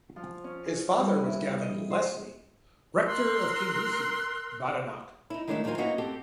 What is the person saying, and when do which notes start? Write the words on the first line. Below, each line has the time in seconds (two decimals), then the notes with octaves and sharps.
His father was Gavin Lesley, rector of Kingussie, Badenoch.
0.16 F3
0.44 C#4
0.66 G#4
0.99 G3
1.13 D#2
1.26 E4
1.61 D#5
1.91 C5
3.06 A#4 C6 E6 F#6
5.30 D#4 E4
5.47 D#3 G#3 A3 D4 C#5 E5
5.64 D#2 D#3 F#3 F4 C5 G#5
5.78 A#3 C#4 D#4 F#4 B4 E5
5.98 C4 G4 A4 F#5